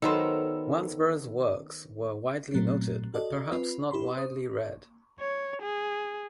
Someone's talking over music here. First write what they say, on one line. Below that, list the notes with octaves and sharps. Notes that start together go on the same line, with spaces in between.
Wansbrough's works were widely noted, but perhaps not widely read.
D#3 F#3 B3 A4 A#4 C5
A#2 F#3 A3 C4
F#4 A4 D5 D#5
C4 F4 B4
E4 G4 B5 C6
C5 D#6
C#5
G#4